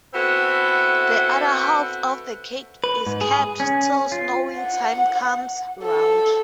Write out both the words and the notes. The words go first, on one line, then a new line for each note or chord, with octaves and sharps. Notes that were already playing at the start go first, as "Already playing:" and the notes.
The other half of the cake is kept till sowing-time comes round.
B3 C4 E4 F#4 A4
B4
G#2
G#4
C#4
F4
F#5
A4